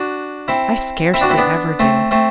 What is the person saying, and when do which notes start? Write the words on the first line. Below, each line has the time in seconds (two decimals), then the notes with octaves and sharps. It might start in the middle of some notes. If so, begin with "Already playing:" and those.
I scarcely ever do.
Already playing: D4 F#4
0.48 C4 E4
1.14 C4 E4
1.21 D4 F#4
1.30 C4 E4
1.38 B3 D4
1.79 A3 C4
2.11 A3 C4